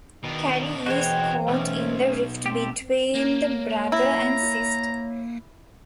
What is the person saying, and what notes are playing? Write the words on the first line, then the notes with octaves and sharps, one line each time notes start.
Carrie is caught in the rift between the brother and sister.
B2 D#3 D4
E3 G#3 C4 F#4 C5 C#5
B1 A3 C#4
C4 G4 A4
A#3 C#5
E4 A#5